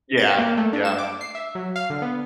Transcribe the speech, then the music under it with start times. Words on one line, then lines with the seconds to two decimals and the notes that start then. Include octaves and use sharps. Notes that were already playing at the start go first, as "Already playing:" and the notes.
Yeah, yeah.
0.18 A6
0.38 A#3
0.57 A3
0.73 D4
0.85 E7
0.98 D6
1.21 C7
1.35 E5
1.55 F#3
1.76 F5
1.90 D3
2.02 B3